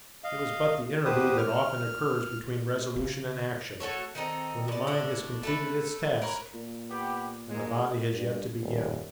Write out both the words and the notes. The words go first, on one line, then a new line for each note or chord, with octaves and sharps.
It was but the interlude that often occurs between resolution and action; when the mind has completed its task, and the body has yet to begin.
D#5 F5
E2 G4 B4 C5 D#6
F6
C#3
A3 F#4 A4 C#5
D#3 C4 D#4 A4
B2 D5
A2 D4
A3 A4 B4
A#4 B4 C#5
A#2
B3 G4
D2 G#2 G#3 A#3
G2
D#1